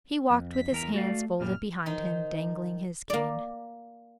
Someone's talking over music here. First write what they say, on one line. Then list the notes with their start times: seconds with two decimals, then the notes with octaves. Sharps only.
He walked with his hands folded behind him, dangling his cane.
0.30 F2
0.52 B6
0.72 E2 A#4 A#5
0.94 A3 F#4 D5 F5
1.40 F#2 A#2 G3 F6
1.86 D#3 D#4 C5
3.10 A#3 D5